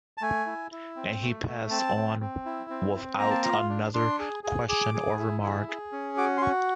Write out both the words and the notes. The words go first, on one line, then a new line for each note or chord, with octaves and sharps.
And he passed on without another question or remark.
A5
A3 G#5
E4
E4
C4
A3
A3
C4 A5
C4
C4
E4
C4
C4
A#3 A#5
A5
F4 A#5
D4
D4 C6
G#4
G#4
G#4 D6
G#4
E4
G#4
G#4
C#4
F#4 D6
C6
F#4 C#6